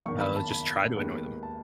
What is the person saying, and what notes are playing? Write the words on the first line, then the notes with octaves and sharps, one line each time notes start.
Oh, just try to annoy them.
F#1 E2 D#3 C#6
B5
A5
B5
D#2 D#3 G#3 B3
A5